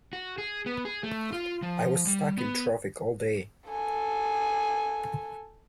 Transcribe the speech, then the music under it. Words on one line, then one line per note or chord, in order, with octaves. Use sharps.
I was stuck in traffic all day!
F#4
G#4
B3
G#4
A3
F4
F3
G3
B3
A4 G#5